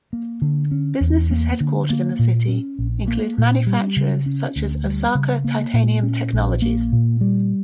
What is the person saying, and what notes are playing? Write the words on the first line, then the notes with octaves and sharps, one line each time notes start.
Businesses headquartered in the city include manufacturers such as Osaka Titanium Technologies.
A#3
D3
C#4
E2
A#3
D3
A#3
A#2
C#4
A#1
A#3
A#2
G3
C#3
C#4
D2
G3
C#3
A#3
A#2
C#4
A#1
A#3
A#2
G3